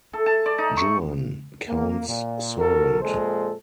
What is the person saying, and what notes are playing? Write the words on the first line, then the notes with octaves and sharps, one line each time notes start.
Juan: Count’s servant.
A4
A5
D5
D#4
C#6
A#3
A#2
F#4 A4 A#4
F2 A#2 G#3 A4 C5